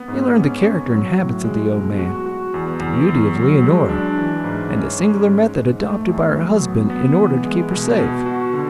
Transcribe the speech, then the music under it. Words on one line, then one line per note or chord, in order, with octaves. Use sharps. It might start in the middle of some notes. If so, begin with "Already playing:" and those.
He learned the character and habits of the old man, the beauty of Leonora, and the singular method adopted by her husband in order to keep her safe.
Already playing: B3
G#2
C#4
C#4
F#3
A2
G#3
B2
F#4
F#4
E2
E2
E2
F#3
G#3
D4
E3
G#2
C#4
G#3
G#2
G#2
A3
E2
F#3
B3
B3
E3
G#3
B2
B2
F#4
D3